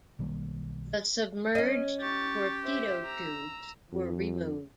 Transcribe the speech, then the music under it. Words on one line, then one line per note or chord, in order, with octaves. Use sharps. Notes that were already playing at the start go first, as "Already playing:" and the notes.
The submerged torpedo tubes were removed.
B1 D#3 G3 A#3
C#4 D#5
G4 C#6 A6
C5 E5
A#5 E6
F2